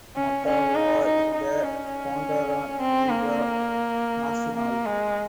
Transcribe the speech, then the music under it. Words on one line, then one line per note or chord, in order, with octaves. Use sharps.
Motagua in the Honduran Liga Nacional.
C#4
C#4
D#4
D#4
D#4
C#4
C4
A#3
A#3
G#3